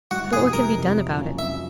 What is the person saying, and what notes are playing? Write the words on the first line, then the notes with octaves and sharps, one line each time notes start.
But what can be done about it?
G1 F#4
F2 C3 G#4
G1 A#4
F2 C3
F2
C#3 F#3 A#3 C#4
F2 E5